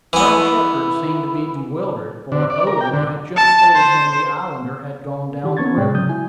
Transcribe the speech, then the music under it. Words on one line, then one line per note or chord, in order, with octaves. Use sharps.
Colonel Shepard seemed to be bewildered, for Owen had just told him the Islander had gone down the river.
E3 B3 E4
D3
D5
A#4
G5
D3
A5
C5
D#3 E3 G4
B3 C#4 C#6 G#6 A6
A2 C3 G#3 D5 G5
C#3 F#3 D#6 G6
E4 G#5